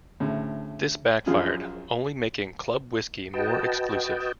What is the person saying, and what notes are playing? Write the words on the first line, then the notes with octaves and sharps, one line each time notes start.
This backfired, only making Club Whisky more exclusive.
D2 A2 C#3
A#1 F#2 F4 G#4
F#4 B4 D#5 G5 A5